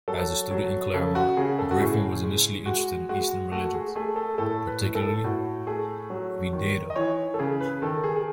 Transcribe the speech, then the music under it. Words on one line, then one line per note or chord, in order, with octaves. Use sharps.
As a student in Claremont, Griffin was initially interested in Eastern religions, particularly Vedanta.
F#3 A4
F#3
C#3 A4
F#4
C#3 G#4
A4
F#4
A2 G#4
G#3
G#3 F#4
G#3 F#4
A3 F#4
G#4
A3 G#4
A4
G#4
A2 A4
B4
A2
A4
A2 F#4
A3 G#4
F#3
D#3
D#5
E3 C#5
A4
C#3 G#4
B4
D#3 A4
G#4
G#4